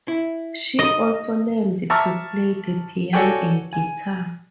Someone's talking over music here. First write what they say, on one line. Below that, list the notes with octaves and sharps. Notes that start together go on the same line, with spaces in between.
She also learned to play the piano and guitar.
E4
D#5
E5 A5 A#5 C#6 D6 F6
F#4 A4 C#5 D5 G5 G#5
G#5